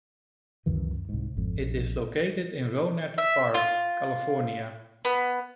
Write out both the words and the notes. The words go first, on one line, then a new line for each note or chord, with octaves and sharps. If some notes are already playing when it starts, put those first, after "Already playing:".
It is located in Rohnert Park, California.
C#2 F#2 D#3 E3
C2 G#2
G#1 F2
A#1
E5
F4
B3